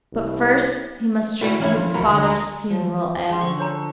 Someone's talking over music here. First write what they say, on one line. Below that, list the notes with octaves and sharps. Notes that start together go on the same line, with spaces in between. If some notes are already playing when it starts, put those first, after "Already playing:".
But first he must drink his father's funeral ale.
C2
E4 F#4 A4 C5 D5
E3 A#3 C#4 D4 E4 C#5
F3
D#2 F#3 A#3 A#4 B5
D3
D2 A#5
F3
G#3 C#4 D4 C6
D3 C#6
D4 A4 C#5 A#5